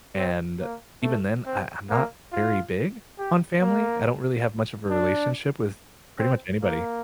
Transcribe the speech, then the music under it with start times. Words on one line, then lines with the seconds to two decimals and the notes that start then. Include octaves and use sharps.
and even then, I I'm not very big on family. I don't really have much of a relationship with pretty much anybody.
0.17 C4
0.60 A#3
1.03 A3
1.46 C4
1.90 A#3
2.32 F4
3.19 G4
3.62 A#3
4.90 D4
6.19 C4
6.62 A#3